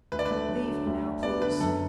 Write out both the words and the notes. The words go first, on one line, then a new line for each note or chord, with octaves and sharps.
Leave me now, please.
D2 B4
D5
B4
A3
F#3
D3
D2
D4
B3 D5
D3 B4
F#2 A4